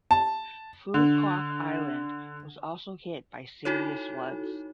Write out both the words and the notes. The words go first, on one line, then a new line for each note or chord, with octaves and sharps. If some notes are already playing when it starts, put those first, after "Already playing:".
Phu Quoc island was also hit by serious floods.
A5
D3
D#4 E4 F#4 A4 C#5